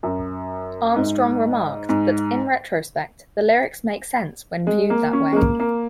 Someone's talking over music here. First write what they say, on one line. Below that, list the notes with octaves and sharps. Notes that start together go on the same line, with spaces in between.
Armstrong remarked that, in retrospect, the lyrics make sense when viewed that way.
F#2
G#2
G#2
G#3
A#3
C#4
G#3
A#3
A#3